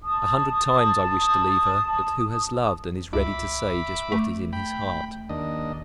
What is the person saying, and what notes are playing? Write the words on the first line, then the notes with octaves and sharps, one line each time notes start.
A hundred times I wished to leave her, but who has loved, and is ready to say just what is in his heart?
A5 D#6
C#2 E5 B5 D6
A3
G5 B5
D#2 D4 D#5